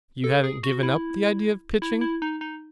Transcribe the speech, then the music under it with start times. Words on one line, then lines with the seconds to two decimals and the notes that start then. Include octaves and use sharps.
"You haven't given up the idea of pitching?"
0.24 A4
0.44 G#4
0.63 F#4
0.83 E4
1.82 E4
2.01 E4
2.22 D#4
2.41 D#4